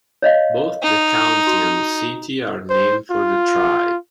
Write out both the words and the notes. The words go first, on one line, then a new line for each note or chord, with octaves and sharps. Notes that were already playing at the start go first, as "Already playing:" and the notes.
Both the county and city are named for the tribe.
C#5 D#5 F5
D#4
F#4
C5
F4